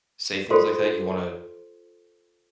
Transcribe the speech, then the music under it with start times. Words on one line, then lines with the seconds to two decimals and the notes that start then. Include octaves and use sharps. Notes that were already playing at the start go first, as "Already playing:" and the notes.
say things like that, you want
0.50 F4 A4 C5 C6